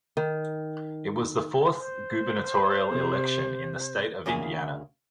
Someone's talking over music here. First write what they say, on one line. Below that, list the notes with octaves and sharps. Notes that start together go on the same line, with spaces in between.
It was the fourth gubernatorial election in the State of Indiana.
D#3
C5
C3
D2 C#3 A#3 G#4 G#5